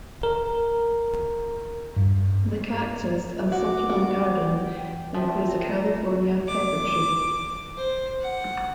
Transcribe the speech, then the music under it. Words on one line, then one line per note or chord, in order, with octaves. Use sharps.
The Cactus and Succulent Garden includes a California pepper tree.
A#4
G2
F#4 D6
F#4
G5
F3 E5 G5
A#5
D6
C5
F#5